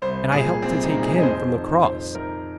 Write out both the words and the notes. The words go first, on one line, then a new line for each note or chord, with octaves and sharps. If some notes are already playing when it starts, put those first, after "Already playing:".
And I helped to take Him from the cross.
C2 C5
A#2 G#4
C2 C4
D#4
A#2
G#4
D#5
F2 C5
D#3
F2 C5
D#3 A#4